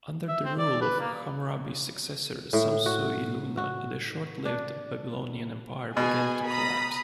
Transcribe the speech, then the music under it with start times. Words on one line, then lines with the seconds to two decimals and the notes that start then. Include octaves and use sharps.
Under the rule of Hammurabi's successor Samsu-iluna, the short-lived Babylonian Empire began to collapse.
0.28 E5
0.45 C4
0.58 D5
0.81 B4
1.00 A#3
2.53 A2
2.86 F#4
3.57 F#4
4.45 D4
5.97 B2 G#4 G#5
6.48 A#5 B5 D#6